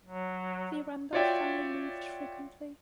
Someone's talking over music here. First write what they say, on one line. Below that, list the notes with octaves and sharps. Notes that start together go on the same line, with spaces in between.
The Randolph family moved frequently.
F#3
F4 F#4 C#5 D5 E5 G5